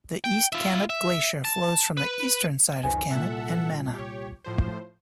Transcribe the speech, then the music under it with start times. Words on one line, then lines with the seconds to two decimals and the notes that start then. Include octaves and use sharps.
The East Kamet Glacier flows from the eastern side of Kamet and Mana.
0.24 G5
0.53 F4 E5
0.90 E5
1.45 A5
1.97 B4
2.84 C#2 F#2 D#3 B4 C5 G#5
3.11 C2 A#2 A4 E5 F#5
3.94 G4 C#5
4.44 A2 F3 C5